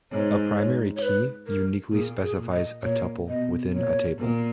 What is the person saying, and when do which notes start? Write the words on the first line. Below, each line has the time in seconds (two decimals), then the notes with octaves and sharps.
A primary key uniquely specifies a tuple within a table.
0.12 G#2 C#5
0.56 C#5
0.96 C#5
1.02 B4
1.47 A#4
1.92 A#2 G#4
2.22 G#4
2.37 A#2
2.52 D#5
2.82 A#2 C#5
3.28 B2 D#5
3.73 A#2 C#5
4.19 A#2